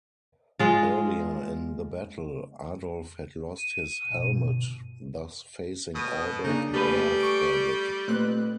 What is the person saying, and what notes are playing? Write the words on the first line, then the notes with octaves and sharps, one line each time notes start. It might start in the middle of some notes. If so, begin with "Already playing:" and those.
Earlier in the battle, Adolf had lost his helmet, thus facing Albert bare-headed.
G#3 F4
D#7
G1 B2
B2 D#6
C#3 A#3 D4 D#4
G3 A3 G4 G#4 B4
C#6 D7
A#2 A3 C4 B4 F#6